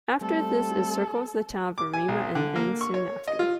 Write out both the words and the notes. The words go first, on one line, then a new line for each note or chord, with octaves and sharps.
After this, it circles the town of Arima and ends soon after.
G3 A3 C4 A4
D6
G#5
B1
D3
A#3
C#6
C#5
D#5
F4